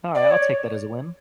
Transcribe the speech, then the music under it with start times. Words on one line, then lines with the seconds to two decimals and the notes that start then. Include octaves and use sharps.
Alright. I'll take that as a win.
0.15 D5
0.30 C#5